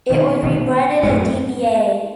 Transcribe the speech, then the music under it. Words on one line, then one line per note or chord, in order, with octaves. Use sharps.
It was rebranded as dba.
B2 D#3
B2 D#3
G#2
F#2 A2